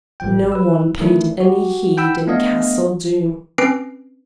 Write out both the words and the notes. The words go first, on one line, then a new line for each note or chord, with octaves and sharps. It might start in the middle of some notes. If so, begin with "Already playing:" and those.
No one paid any heed in Castle Doom.
A1 F3 G5
B4 E6
D#3 E3 A3 D4 E4
F#4 G4
F#5 G5 B5 E6
A3 B3 D4 D#5 F5
C4 C#4 B4 C7 D7